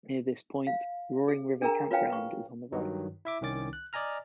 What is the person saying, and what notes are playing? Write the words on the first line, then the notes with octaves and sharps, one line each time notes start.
Near this point, Roaring River Campground is on the right.
F5
G#4
D4 G#4 A#4 G5 A#5
F4 B4 C#5 F5 G5 G#5
B4 C#6
G2 D#3 F#3
E4 E5 D6
C2 D#3 C#4 D6 A6
F#6
D5 D#5 G#5 A#5 F6